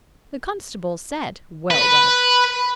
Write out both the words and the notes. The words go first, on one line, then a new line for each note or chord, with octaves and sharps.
The constable said 'Well!
B4